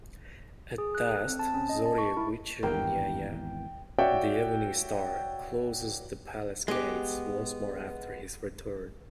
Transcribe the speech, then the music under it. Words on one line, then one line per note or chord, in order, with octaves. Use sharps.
At dusk, Zorya Vechernyaya—the Evening Star—closes the palace gates once more after his return.
G#4
F#6
A4
C4
A5
C#4
D#5
A5
C#6
E4
G#1 E2 A#3 G5
F#4 C#5 D5 E5 G5
G#3 B3 G4